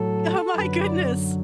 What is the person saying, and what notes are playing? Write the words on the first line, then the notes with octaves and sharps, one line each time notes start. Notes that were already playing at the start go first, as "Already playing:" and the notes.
oh my goodness.
Already playing: A2 F#3 A4
F#2 D3 F#3 B4
D5